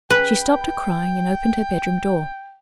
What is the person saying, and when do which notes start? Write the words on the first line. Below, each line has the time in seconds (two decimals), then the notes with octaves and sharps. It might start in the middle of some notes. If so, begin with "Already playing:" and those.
She stopped her crying, and opened her bedroom door.
0.10 B4 G5